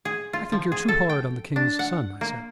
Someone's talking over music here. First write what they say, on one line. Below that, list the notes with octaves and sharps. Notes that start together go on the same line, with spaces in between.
"I think you're too hard on the king's son," I said.
G#4
F4
F3
G#4
A4
G5
D4
F#5
A#3